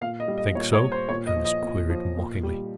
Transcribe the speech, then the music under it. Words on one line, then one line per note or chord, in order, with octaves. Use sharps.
"Think so?" Ernest queried mockingly.
A#2 F5
D#5
G3
D#5
A#2 C#5
C#5
G3
C5
A#2 C#5
D#5
F3
D#5
A#2
F3
A#2
G3